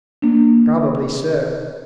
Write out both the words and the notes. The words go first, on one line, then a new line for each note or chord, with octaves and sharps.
Probably so.
A#3 D4